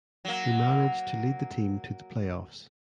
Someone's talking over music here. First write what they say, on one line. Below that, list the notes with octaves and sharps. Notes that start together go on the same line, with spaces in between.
He managed to lead the team to the playoffs.
F#3 A#3